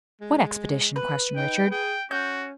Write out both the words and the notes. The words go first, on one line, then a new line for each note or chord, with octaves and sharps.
"What expedition?" questioned Richard.
G#3
B4
D#4 G5
G#4 G5
C#4 F#4 G6